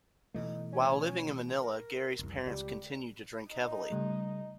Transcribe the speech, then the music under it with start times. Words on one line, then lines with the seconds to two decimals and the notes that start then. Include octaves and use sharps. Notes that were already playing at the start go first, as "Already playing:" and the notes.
While living in Manila, Gary's parents continued to drink heavily.
0.34 B2 E3 A3 D#4
0.73 C#4
1.62 A#4
2.19 F1 C2
2.46 C#2 G3
3.49 D#4
3.90 C#3 G3 A3